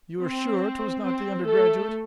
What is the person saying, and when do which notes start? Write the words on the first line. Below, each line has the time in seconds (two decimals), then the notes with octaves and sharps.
"You are sure 'twas not the undergraduate?"
0.21 C4
1.05 C4
1.46 A3 A4